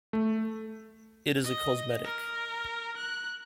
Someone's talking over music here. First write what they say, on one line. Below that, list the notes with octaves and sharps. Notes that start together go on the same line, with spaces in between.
It is a cosmetic.
A3
D#5
A#4
F#6